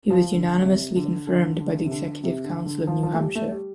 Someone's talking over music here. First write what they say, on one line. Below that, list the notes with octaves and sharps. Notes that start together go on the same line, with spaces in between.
He was unanimously confirmed by the Executive Council of New Hampshire.
F3
D3
C3
D3
D3
D3
C3
D3
C3
D3
D3
F3
F3
A3
G3
A3
G3